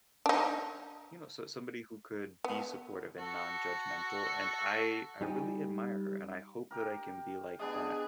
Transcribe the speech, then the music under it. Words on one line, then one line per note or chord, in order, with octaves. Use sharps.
you know, so somebody who could be supportive and nonjudgmental, and I I really admire her, and I hope that I can be like that
D4 D#4
B3
F#4 A4
G3 D#4 G5 G#5
G4 A#4
B3 D4 G#4 D#5